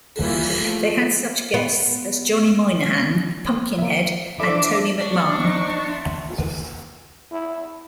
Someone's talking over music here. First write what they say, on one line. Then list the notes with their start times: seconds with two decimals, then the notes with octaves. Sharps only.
They had such guests as Johnny Moynihan, Pumpkinhead and Tony McMahon.
0.20 E3 G3 A#3 E4 F4
0.52 F3 A3
1.54 B3
3.79 A#3 E5
4.40 D4 E4 A4 C5 D5 E5 D6
5.01 D4 C#6
5.42 D#4 C5 D#5
5.87 E5 A5 C6
7.31 E4